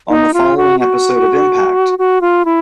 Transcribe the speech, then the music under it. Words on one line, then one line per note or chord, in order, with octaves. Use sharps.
On the following episode of Impact!
D#4
F4
F#4
F#4
F#4
F4
E4